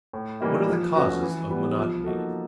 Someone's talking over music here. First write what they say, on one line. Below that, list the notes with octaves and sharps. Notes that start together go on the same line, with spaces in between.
What are the causes of monotony?
A2
E3 G3 A#3 D#4
F3
A3 C#4 F#4 B4
E3
G3 B3
F3
A#3 D#4 F#4 A4